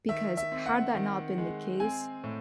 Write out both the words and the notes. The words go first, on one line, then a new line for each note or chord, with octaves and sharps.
Because had that not been the case,
D#3 E5
E5
C4
F#5
D#3
G#3
C4 G#5
A2